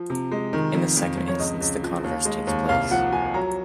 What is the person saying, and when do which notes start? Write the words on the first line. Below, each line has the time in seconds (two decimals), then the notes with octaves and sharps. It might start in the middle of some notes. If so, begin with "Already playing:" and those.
In the second instance, the converse takes place.
Already playing: F3
0.10 C3
0.31 G#3
0.53 D#3
0.75 F2
0.97 F2
1.17 F2
1.28 C#5
1.39 C#2 D#5
1.61 C#2
1.83 F3
2.04 D#2
2.25 G#3
2.47 D#2
2.69 C2 F5
2.91 F3 F#5
3.12 F3 G#5
3.34 F#3 A#5